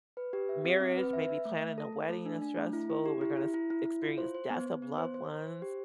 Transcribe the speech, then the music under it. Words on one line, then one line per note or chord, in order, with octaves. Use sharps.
marriage, maybe planning a wedding is stressful, we're gonna s experience death of loved ones,
B4
G4
E5
C4
C4
B4
E5
E5
A3
A3
A4
A4
A3
D4
D4
A3
E4
E4
G4
E4
E4
E4
E4
E4
F4
C5
C5
B3
B3
B3
C5
C5
C5
C5
G4